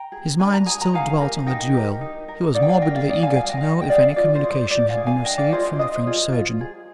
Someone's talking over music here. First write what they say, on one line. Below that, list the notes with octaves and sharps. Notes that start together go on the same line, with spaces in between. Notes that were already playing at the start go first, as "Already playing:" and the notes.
His mind still dwelt on the duel; he was morbidly eager to know if any communication had been received from the French surgeon.
Already playing: G5 A#5
G#4
D4 G#5
A#5
G#4 G#5
A#5
D#4 F5 G#5
G4 A#4
D#4 D#5 G5
G4 A#4
D#4
A#4
D#4 D5 F5
G5
F5 G#5
A#4 D#5 G5
D5 F5
D#4 D5
F5 G#5
G#4 F5 G#5
D#5 G5
F5
D#4 D#5 G5
G5
G#4 D5 F5
F4 D5
C5
G#4
D5
C5
F4 D5
F5 G#5
G#4
F5 G#5
D4 D#5 G5
D5 F5
F4 G#4 C5 D#5
D4 C5 D#5
F4 G#4
F4
G#4